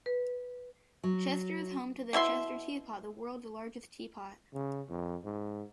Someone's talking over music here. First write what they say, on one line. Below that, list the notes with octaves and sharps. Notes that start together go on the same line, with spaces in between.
Chester is home to the Chester teapot, the World's Largest Teapot.
B4
F#3
B2 E4 E5 C6
C#3
F2
G#2